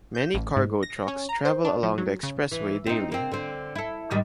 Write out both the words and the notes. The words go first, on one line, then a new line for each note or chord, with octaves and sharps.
Many cargo trucks travel along the expressway daily.
G6
A1
G#2
A#6
C#4
A#5
C5
D4
F3
F#3
C#3
E3
C4 D#4
A#3 C4
D3 C4
E4 A4
G#2 D#3 G3